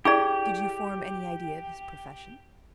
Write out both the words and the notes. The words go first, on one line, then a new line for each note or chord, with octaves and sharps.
"Did you form any idea of his profession?"
E4 G4 G#4 D5